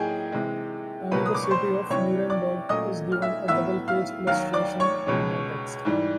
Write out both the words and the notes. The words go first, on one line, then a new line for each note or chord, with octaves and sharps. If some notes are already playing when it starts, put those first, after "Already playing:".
Only the city of Nuremberg is given a double-page illustration with no text.
Already playing: A2 F#3 A#3 D#4 G#4 G5 G#5
C3 E3 G#3
C#2 B2 F#3 A#3 B4 B5
D#6
D6
C#6
C5 C6
C3 E3 G3 C#5 C#6
D5 D6
A#2 F#3 A3 C#4 D#5 D#6
F6
E5 E6
A2 F#3 B3 E5 E6
F5 F6
D#2 D#3 F#3 F5 F6
D5 D6
C#5 C#6
C#2 B2 G#3 C#4
G#2 E3 G3